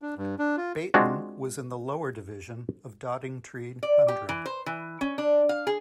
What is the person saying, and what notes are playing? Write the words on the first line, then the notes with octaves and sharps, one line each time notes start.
Bayton was in the lower division of Doddingtree Hundred.
D4
G2
D4
F4
G#3 C4 D4 F4 F#4
D5
G4
E3
C5
E3
C#4
D4
F5
G#4